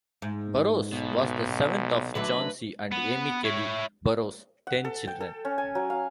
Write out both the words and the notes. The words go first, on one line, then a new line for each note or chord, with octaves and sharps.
Burroughs was the seventh of Chauncy and Amy Kelly Burroughs' ten children.
G#2
B1 B2
D3 F#3 A3 B4
B3
E4 C#5
F#5
A4
G5
A4
C#4
G#5
F#3
F5